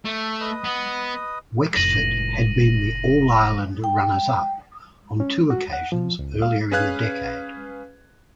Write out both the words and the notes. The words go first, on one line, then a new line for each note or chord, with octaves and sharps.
Wexford had been the All-Ireland runners-up on two occasions earlier in the decade.
A3
B4 D#5 D#6
B3
F1 A2 A#6 D#7 F#7
G5
C#4
F#4
F#5
F3
C#2
F5
C#4 G#4 B4 F5 F#6 G#6